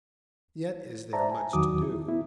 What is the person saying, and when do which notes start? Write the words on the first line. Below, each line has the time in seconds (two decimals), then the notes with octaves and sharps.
Yet is there much to do.
1.13 C5 D5 E5 A5 A#5
1.32 G#5
1.53 E2 D#3 F#3 F#4 D6 D#6
1.83 E4
2.08 B3 E4